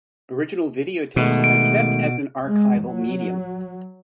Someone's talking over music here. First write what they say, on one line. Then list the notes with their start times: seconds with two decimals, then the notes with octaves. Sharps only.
Original video tapes are kept as an archival medium.
1.16 B2 D#3 G#3 A3
1.44 D7
2.44 G#3
2.86 F#3